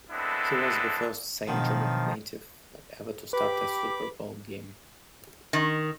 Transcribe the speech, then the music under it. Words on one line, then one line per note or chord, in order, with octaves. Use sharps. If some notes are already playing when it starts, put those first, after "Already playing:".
He was the first Saint George native ever to start a Super Bowl game.
G#3 B3 C4 D4 E4 A4
G2 B2 D#3 F3 F#3
G4 B4 B5 D6
D#3